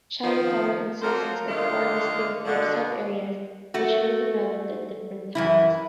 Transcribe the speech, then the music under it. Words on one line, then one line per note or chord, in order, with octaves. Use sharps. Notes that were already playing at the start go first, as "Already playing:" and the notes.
Chinatown consists of four distinctive sub-areas which were developed at different times.
D#3 F3
F2 F#3 A#3 A#4 C5
D3 D#3 A3 A#3 F4
B2 D3
A3 F#4
F#2 E3 E4